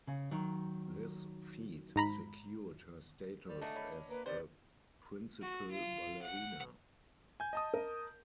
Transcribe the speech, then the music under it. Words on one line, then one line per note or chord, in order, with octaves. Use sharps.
This feat secured her status as a principal ballerina.
C#3
D#3 F#3
G#2 A#5 B5
G3
F#3 G#3 A3 D4 D#5
C#5 D#5 B5
A#3 B4
C3 D#3 B4 C5 D5
F#4
F4
F#5
G#5 G6
D#5 A5 D#6
A#4